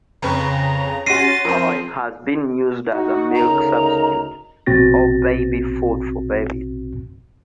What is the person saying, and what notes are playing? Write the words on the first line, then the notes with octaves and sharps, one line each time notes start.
Poi has been used as a milk substitute or baby food for babies.
F2 C#3 B4 A#5 C#6
C#4 F#4 C6 A6 A#6 C7 D#7
F3 C4 A#4 C5
D#4 F#4
D2 C#3 A#4 A#5
A#1 B2 C4 F#4 A6 A#6